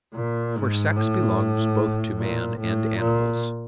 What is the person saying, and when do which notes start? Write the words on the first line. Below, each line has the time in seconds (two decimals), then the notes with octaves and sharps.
For sex belongs both to man and animals.
0.15 A#2
0.56 G#2
0.96 A2
2.19 A#2
2.59 A2
3.00 A#2